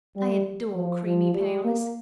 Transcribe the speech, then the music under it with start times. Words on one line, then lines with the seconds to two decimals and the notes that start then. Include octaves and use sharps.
I adore creamy paleness.
0.16 G3
0.75 F3
1.05 F3
1.34 G3
1.64 A#3